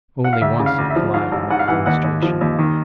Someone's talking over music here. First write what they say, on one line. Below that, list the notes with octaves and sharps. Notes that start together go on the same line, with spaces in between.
Only once did Calliope make demonstration.
F#5
F5
D2 E5
C#3
F5
D2
E5
F3
G#2 F5
A1
G#2 F#5
F5
E3 F#5
D#2 F#5
D#2
F3
D#2
D#3